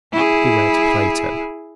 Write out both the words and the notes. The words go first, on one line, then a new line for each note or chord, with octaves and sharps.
He read Plato.
E4 G#4